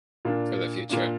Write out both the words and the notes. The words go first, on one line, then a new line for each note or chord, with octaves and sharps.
For the future.
A#2 A#3 D4
A#2 A#3 D4